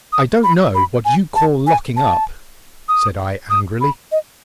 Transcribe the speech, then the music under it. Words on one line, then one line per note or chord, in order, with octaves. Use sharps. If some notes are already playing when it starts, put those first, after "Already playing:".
"I don't know what you call locking up," said I, angrily.
D#6
B5
B5
G#5
A5
G#5
A5
D#6
D#6
B5
D#5